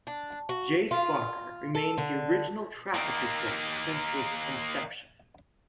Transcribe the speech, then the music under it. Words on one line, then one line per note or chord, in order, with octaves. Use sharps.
Jayce Barker remains the original traffic reporter since its inception.
D4
F#4
F4
A4
D3
D#3 A#3